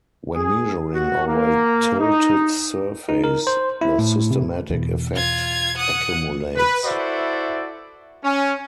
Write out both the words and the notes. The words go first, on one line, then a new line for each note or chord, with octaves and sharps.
When measuring over a tilted surface, the systematic effect accumulates.
G#4
F#4
A#3
D#4
D#4
A#4
C5
E4
A2
C3
E2 B2
F4 G#6
F#5 D#6
B4
E4 F#4 A4 C5 D5 E5
C#4